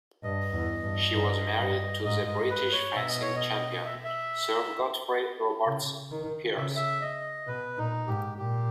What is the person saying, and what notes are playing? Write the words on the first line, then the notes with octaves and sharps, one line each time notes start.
She was married to the British fencing champion Sir Godfrey Robarts Pearse.
G2 D#5
E2
G2
G2
G2
G#2 D#5
D#5
B4
C#5
B2 E5
D#5
C#5
D#5
E5
E5
C#3
D#3
C#3 E5
E5
D#5
B2 B4
A#2 D#4
G#2 G4
A#2 G4